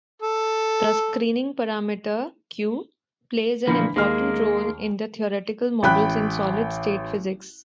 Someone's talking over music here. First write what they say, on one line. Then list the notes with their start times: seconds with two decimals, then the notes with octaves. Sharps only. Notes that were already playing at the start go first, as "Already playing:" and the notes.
The screening parameter "q" plays an important role in theoretical models in solid-state physics.
0.22 A4
3.67 A#2 D3 E3 F3 A#3 B5
3.96 D#2 G#3 A#3 F6
5.83 A1 G5 B5 F#6